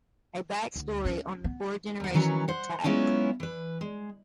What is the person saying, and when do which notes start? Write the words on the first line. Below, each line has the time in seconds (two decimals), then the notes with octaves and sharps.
A back story on the four generations of tags.
0.76 D2
1.05 C#4
1.44 B3
2.00 D#2 F#5
2.14 D#3 E3 F#3 C#4 B4
2.48 C5 F#5
2.84 F#3 G#3 B3 C#4 E4 F4
3.40 E3 B4
3.81 G#3